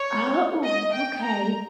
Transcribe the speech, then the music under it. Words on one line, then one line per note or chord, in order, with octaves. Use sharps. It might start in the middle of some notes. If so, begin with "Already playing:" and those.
Ah, oh, okay.
Already playing: C#5
D#5
G5
A#5